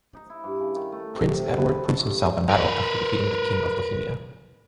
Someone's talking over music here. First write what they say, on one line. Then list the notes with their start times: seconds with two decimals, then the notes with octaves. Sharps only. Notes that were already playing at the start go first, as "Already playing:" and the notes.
Prince Edward proves himself in battle after defeating the king of Bohemia.
0.14 D#4
0.30 E4
0.44 G2
0.60 C#3
0.76 D#3
0.92 A3
1.14 C3
1.39 C3
1.57 B4
1.84 A4
1.99 G2
2.49 A#4 B4